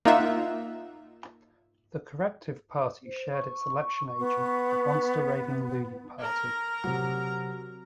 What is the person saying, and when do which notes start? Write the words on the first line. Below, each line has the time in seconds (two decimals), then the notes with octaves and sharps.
The Corrective Party shared its election agent with the Monster Raving Loony Party.
0.05 A#3 D#4 F4 E5 F#5
3.05 C5
3.32 C#6
4.19 B3
6.19 A#4 A#5
6.84 C3 F#3